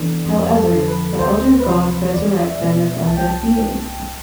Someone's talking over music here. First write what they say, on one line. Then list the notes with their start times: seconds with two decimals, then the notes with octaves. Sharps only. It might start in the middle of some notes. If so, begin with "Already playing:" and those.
However, the Elder Gods resurrect them as undead beings.
Already playing: C3 E3 B3 D4 A4
0.25 F2
0.57 A4
0.72 D3 F3
0.88 B4
1.19 D2 C5
1.60 B4
1.66 C3 F3 C5
2.13 E2 D5
2.44 E5
2.60 B2 B3
3.07 C2 A5
3.17 G5
3.27 A5